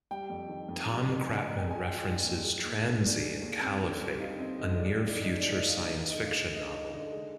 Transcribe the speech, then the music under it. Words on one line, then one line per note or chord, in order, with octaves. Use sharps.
Tom Kratman references tranzi in "Caliphate", a near future science fiction novel.
G3 G5
F2
D#3
F2
G3
F2
D4 G#5
D#5
A#2
G5
G#3 G#5
F4 G5
D4
A#2
G#3
D#2
D3
D4
G#3
D#2
C4
D3
G3
D#4 F5
C4 D#5
D3 D#5
D#5
G#3 D5
D#2 D#5
D5
D#3 D#5
D4 D5
D#5
G#3
F5
D#2
D#5
D#4 D#5
D3 D#5
F5
G#3
D#5
D3 D#5
D#4
D3 D#5
G#3